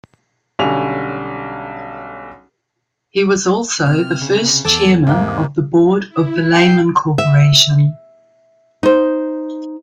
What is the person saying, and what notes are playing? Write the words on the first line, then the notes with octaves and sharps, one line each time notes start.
He was also the first chairman of the board of the Lehman Corporation.
B1 D3 G3 C#4 G#5 F7
C3 F6
C#3
E2 A4 G#5 A5 D6 E6
G#2 C3 A#3 G5
E4
G5 C7
E5
D#4 C5